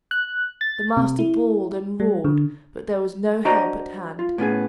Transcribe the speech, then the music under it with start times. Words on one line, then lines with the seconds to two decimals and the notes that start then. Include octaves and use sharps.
The master bawled and roared, but there was no help at hand.
0.11 F#6
0.61 A6
0.97 C3
1.19 E4
2.00 G3
2.24 D3
3.45 D4 F#4 C5 D5 D#5 A#5
4.19 F4
4.38 A2 B3 C#4 G#4